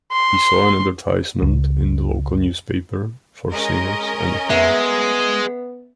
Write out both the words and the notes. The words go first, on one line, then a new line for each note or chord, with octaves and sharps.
He saw an advertisement in the local newspaper for singers and applied.
C6
C#2
G#3 C#4 A#4 D#5
G#3 B3 E5